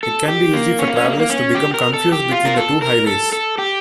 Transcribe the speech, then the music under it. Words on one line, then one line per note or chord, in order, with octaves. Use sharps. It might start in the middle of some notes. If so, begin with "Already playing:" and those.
It can be easy for travelers to become confused between the two highways.
A4
G4
A#3
C#4
A#3
C#4
A#3
A#3
C#4
G4
A#4
A4
G4
F4
A#4
A4
A#4
A4
A4
G4